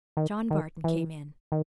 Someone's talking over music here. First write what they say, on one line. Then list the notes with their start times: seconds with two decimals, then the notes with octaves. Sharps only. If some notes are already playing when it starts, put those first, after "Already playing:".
John Barton came in.
0.17 D#3
0.51 D#3
0.84 E3
1.52 D#3